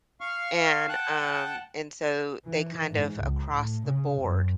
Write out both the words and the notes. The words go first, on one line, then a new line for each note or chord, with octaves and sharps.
And, um, and so they kind of, across the board,
F5 C#6 F6
F#5 G5 A5 F#6
E3
G#2
C#2
A2
C#3
F#2